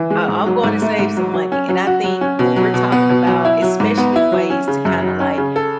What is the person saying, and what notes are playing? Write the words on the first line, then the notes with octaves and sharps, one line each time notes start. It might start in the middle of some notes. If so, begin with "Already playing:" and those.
Uh, I'm gonna save some money and I think when we're talking about especially ways to kinda like,
Already playing: E3
G#3
G#2
F#3
G#2
A3
G#2
F#3
F#3
C#4
F#3
F#4
F#3
C#4
B2
F#3
B2
B3
B2
F#3
E4
F#3
G#2
B3
E4
F#3
C#4
C#3
F#2
F#3
C#4
C#3
A4